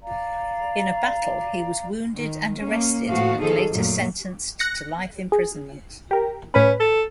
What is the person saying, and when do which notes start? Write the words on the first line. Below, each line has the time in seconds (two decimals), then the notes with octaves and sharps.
In a battle he was wounded and arrested and later sentenced to life imprisonment.
0.02 D5 F5 A#5
2.14 D#3
2.60 A#3 C#4
3.07 A2 F3 B3 F#4 F5
3.38 D#3 F3 G#4 A4
3.70 F#2 A#2 F#3 A3 A#3
4.59 F#6 A#6 C#7
5.32 G#4
6.11 G4 A#4
6.54 A2 C#4 B4 B5
6.80 A4